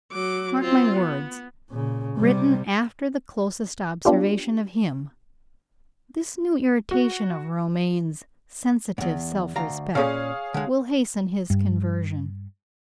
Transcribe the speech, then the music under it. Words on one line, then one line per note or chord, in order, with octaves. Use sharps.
Mark my words, written after the closest observation of him--this new irritation of Romayne's sensitive self-respect will hasten his conversion.
F#3 D6
C4 F4
B3
A#2 C#3
C3 G3
B3 D4 F4 G4
F#4
E2 G#2
D2 F5 A#5
A#2 C#4 G#4 C#5 F5
D3 G#3
G2